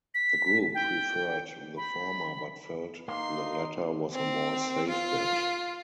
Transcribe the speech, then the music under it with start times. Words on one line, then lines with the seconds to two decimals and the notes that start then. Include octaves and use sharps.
The group preferred the former but felt the latter was a more safe bet.
0.14 B6
0.74 G5
1.77 B5
3.08 A#3 D#4 C6 C7
4.13 C4
4.89 F4